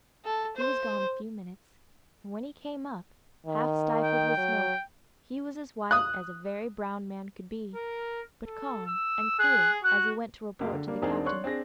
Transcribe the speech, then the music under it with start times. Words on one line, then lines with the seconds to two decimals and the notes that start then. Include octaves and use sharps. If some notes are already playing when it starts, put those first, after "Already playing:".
He was gone a few minutes, and when he came up, half stifled with smoke, he was as white as a very brown man could be, but calm and cool as he went to report to the captain.
0.25 A4
0.57 C5
3.47 D#3
4.03 G5
4.37 F#3
5.91 D#6 F#6
7.75 A#4
8.45 A4
8.86 E6
9.39 G#4 F#6
9.84 F#4 F#6
10.60 C#2 F#2 A#3
10.72 D3
10.87 G3 A#3 D4
11.02 E1 C4 D4 D#4 G#4 A#4
11.25 C#5 D5 C6 C#6 F#6
11.44 C4 D4 G#4 A#6